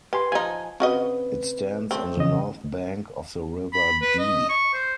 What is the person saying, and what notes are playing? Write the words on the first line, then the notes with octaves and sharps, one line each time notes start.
It stands on the north bank of the River Dee.
G4 B4 G#5 C6
F3 D#4 G#5
C#3 C4 F#4 B4 D#5
A3 C4
E2 C#3 D#5
B5
B4
D#5
C#6
C5